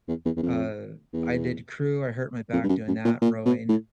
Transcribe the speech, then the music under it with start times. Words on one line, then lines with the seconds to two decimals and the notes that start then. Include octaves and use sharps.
Uh, I did crew, I hurt my back doing that rowing
0.08 E2
0.25 E2
0.37 E2
0.43 F2
1.13 E2
2.53 F2
2.63 G2
2.69 F#2
2.87 F#2
3.05 A#2
3.21 A#2
3.46 B2
3.69 A2